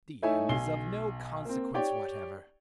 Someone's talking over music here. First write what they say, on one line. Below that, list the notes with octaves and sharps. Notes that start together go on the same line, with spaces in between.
The end is of no consequence whatever.
A3 D#4 E4 C#5 E5 G#5
B1 G#5 C7 G7
A#3 C4
G4 C#5 D5 G5 C#6